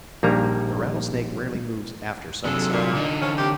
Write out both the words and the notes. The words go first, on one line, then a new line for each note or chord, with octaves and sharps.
The rattlesnake rarely moves after sunset.
A#1 D#3 G3 A#3 A#5
C3 F#3 D4 G#4 A4
D2 A#2
D3 D#4
F3 C#4
D#2 C3 G4